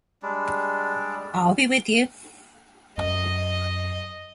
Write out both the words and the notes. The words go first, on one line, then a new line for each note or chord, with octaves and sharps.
I’ll be with you.
G3 G#3 D4
F#2 D#5